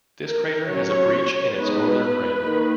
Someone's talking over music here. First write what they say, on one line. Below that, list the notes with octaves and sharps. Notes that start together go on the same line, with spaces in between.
This crater has a breach in its northern rim.
A#4
F#3 C#4 C#5
G#3 B3 D#4 B4
D#3 A#3 D#4